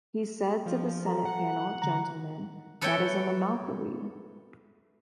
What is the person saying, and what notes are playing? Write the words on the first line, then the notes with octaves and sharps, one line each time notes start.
He said to the Senate panel, Gentlemen, that is a monopoly.
F3
A4 A#5
F#5
D3 A#5
A4 B4 C#5 E5 G5